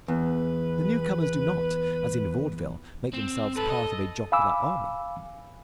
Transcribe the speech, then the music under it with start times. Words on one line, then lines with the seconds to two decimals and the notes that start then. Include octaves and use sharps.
The newcomers do not, as in Vaudeville, make themselves part of a jocular army.
0.08 E2 B4
3.13 C4
3.57 G#2 A4 B4
3.70 D#5
4.32 F5 G#5 B5 D6 E6